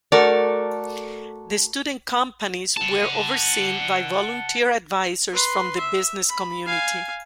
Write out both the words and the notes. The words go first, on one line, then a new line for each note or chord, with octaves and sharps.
The student companies were overseen by volunteer advisers from the business community.
A3 F#4 A4 A#4 D5
F#5 A5
B4 C6
E5
B5
F5 G#5